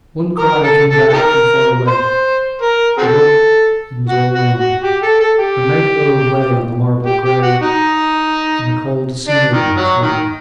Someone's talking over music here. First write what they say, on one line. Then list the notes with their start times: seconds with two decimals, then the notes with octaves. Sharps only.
One cry came back from far away: He woke, and was all alone. Her night robe lay on the marble grey, And the cold sea-maiden was gone.
0.39 A#4
0.64 A4
0.90 A4
1.09 A4
1.13 D#4 G4 A#4
1.88 C5
2.62 A#4
2.98 C4 F#4 A4
4.09 F#4
4.35 F#4
4.59 F#4
4.84 G4
5.03 A4
5.20 A4
5.39 G4
7.06 G4
7.25 G4
7.43 F#4
7.62 D#4
9.28 D4
9.53 D#3
9.77 F#3
10.03 D#3